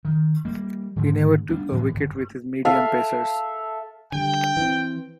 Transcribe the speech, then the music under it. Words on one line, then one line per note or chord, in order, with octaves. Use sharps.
He never took a wicket with his medium pacers.
D#3
G3 A#3
G#2 D3 D#3 A3
G3 B3 D4
A2 E3 G#3 B3
G1
A4 E5 F5
D3 G3 G5
E3 C4